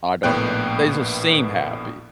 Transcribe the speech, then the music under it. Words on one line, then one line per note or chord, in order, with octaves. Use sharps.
I don't know, they just seem happy.
A#1 A2 A#3 B3 G5 F#6